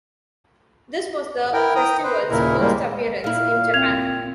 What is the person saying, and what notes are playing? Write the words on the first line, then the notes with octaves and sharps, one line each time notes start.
This was the festival's first appearance in Japan.
E4 A#4 G5
G5 A#5 D#6
B4 C5
D#2 A#2 C#3 E4 A#4
G3 G#3 A#3
A#2 E4 F5
C4 G#6 F7